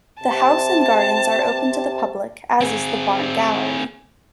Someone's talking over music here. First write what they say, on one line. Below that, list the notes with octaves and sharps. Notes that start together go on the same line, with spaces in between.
The house and gardens are open to the public, as is the Barn Gallery.
C3 A5
C4 G#4